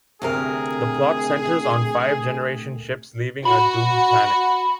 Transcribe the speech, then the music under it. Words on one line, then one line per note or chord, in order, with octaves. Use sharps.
The plot centers on five generation ships leaving a doomed planet.
D2 C3 G#4 A#4
F#4 B5